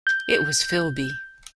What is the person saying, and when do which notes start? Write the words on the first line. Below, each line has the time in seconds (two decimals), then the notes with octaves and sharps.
It was Philby.
0.07 G6